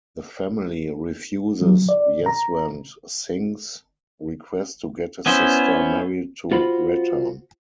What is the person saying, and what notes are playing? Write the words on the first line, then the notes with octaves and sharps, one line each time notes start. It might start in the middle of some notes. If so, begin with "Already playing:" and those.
The family refuses Jaswant Singh's request to get his sister married to Ratan.
F#3
D5
A#5
B3 C#4 E4 C5
F4 F#4 C5 B5